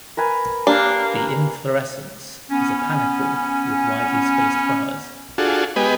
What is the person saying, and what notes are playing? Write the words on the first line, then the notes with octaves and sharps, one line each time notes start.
The inflorescence is a panicle with widely spaced flowers.
A#4 B4 G#5
A#3 D4 G4 A#5 F6
B3 C#4
D4 F4 F#4 G#4 A4
G#3 B3 G4 B4 D#5 G#5